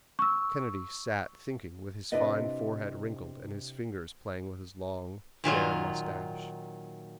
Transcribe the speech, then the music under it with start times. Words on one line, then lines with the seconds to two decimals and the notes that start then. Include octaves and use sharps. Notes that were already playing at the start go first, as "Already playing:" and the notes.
Kennedy sat thinking with his fine forehead wrinkled and his fingers playing with his long, fair moustache.
0.19 C#6 E6
2.12 C3 D4 E4 B4 D5 D#5
5.44 A#2 D#3 F#3 F4